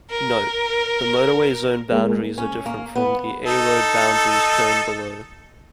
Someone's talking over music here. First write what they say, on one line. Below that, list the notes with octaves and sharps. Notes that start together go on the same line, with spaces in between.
Note: The motorway zone boundaries are different from the A-road boundaries shown below.
A#4
G#3 A#3
C#4
A#3
B3
D#4 A4